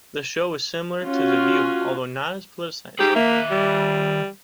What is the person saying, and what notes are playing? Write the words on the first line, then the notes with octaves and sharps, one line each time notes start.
The show is similar to "The View" although not as politicized.
C#4 F4 F#4
D#4 G4 G#4
D#3 A#3 E5
G3